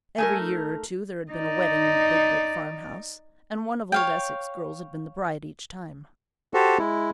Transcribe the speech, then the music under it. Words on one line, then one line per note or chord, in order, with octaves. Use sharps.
Every year or two there had been a wedding in the big brick farmhouse, and one of old Esek's girls had been the bride each time.
A3 A4 A#4 G#5
D#4
D#4 D5
C#5 F5 G5
F#4 G4 A4 C5
G#3 E4